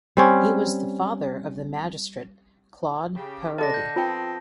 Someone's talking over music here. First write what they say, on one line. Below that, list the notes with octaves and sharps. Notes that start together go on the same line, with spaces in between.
He was the father of the magistrate Claude Parodi.
G3 C4 C#4
C#3 G4
D3 A4 D#5 A5 A#6
G6 A#6
F3 B3 C4 F4 G5 A5